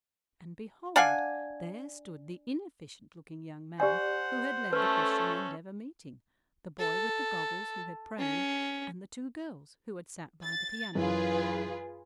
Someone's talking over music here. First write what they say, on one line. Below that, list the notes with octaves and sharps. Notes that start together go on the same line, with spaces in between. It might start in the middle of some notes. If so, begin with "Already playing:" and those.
And behold, there stood the inefficient-looking young man who had led the Christian Endeavor meeting, the boy with the goggles who had prayed, and the two girls who had sat by the piano.
D4 F5 F#5 G#5
G4 C5 D5 F#5 G#5
A3 C#4 A4 B4
A4
C#4
A6
F#2 E3 F4 G#4 B4